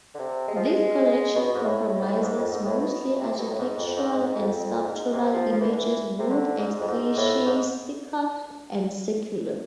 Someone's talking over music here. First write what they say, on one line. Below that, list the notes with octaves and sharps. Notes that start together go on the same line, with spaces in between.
This collection comprises mostly architectural and sculptural images both ecclesiastical and secular.
D3
C3
G#3
F3
G#3
G#3
B2
G#2
A2
A2
G#2
A2
G#2
F2
G#2
A2
B2
B2
C3
B2
A2
G#2
F2
G#2
G#2
F2
F2
G#2
C3
F3
F3
E3
D3
E3
C3
D3
G#2
F2
G#2
A2
G#2